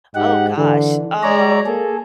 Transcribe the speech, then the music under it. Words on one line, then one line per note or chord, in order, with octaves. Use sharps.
Oh gosh. Um.
G#2 D#4 G4 F#5
D3 E3
G#3 C#5 D5 A#5
A#3 G#4 A4